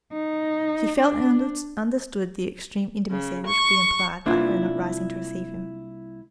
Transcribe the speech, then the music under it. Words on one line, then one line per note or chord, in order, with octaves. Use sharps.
She felt and understood the extreme intimacy which would be implied by her not rising to receive him.
D#4
D4
C#3
C#6
C2 A#3 D4 E4 F4 B4